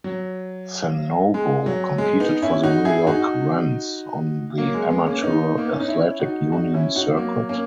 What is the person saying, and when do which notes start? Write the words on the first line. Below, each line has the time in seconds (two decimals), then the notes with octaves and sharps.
Sanogo competed for the New York Rens on the Amateur Athletic Union circuit.
0.04 F#3
1.34 G#3
1.66 F#3
1.98 G#3
2.20 B3 D#4
2.42 C#4 E4
2.63 D#4 F#4
2.85 E4 G#4
3.07 D#4 F#4
4.58 F#3 A#3
4.74 G#3
4.90 G#3 B3
5.06 A#3 C#4
5.22 B3 D#4
5.58 A#3
5.65 B3
5.72 C#4
5.80 D#4
5.88 C#4 E4
6.20 D#4 F#4
6.52 D#4 F#4
6.74 C#4 E4
6.96 D#4 F#4
7.17 F#3 A#3
7.49 A#3 C#4